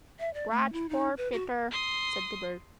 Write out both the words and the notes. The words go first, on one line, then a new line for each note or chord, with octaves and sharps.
"Scratch poor Peter," said the bird.
E5
D5
A3
E4
D#4
B4
F#4
C6 D#6